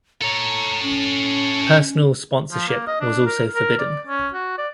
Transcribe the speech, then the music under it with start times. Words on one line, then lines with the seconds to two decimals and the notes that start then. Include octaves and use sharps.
Personal sponsorship was also forbidden.
0.22 A4 C#5 A#5
0.83 C#4
2.52 F3
2.68 A#3
2.87 D#5
3.01 D4
3.26 A#4
3.56 A#4
3.79 D5
4.07 C#4
4.34 F#4
4.58 D5